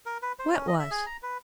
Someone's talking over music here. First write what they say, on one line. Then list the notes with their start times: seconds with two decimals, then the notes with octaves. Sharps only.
"What was?"
0.06 A#4
0.22 B4
0.39 C5
0.53 C#4
0.68 D#5
0.79 E5
0.91 G#4
1.06 A#5
1.23 B4